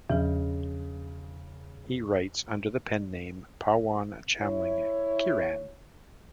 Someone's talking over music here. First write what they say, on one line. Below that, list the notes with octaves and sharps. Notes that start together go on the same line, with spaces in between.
He writes under the pen name Pawan Chamling "Kiran".
E2 C#3 F3
E4 C#5